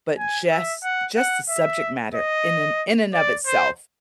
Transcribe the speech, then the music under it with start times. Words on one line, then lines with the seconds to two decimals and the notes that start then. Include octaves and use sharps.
But just just the subject matter in and in and of itself
0.18 G#5
0.51 E5
0.83 F#5
1.16 F#5
1.49 E5
2.15 D#5
3.14 D5
3.46 C5